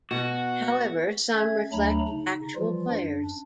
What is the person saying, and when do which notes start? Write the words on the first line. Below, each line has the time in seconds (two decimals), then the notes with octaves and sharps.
However, some reflect actual players.
0.11 B2 F#4
1.34 C#4 E5 G#6
1.72 D2 F#3 A3 D4 A#5 B5
2.08 C#3 D#4
2.56 E3 F3 G3 F4
2.90 F#2 D4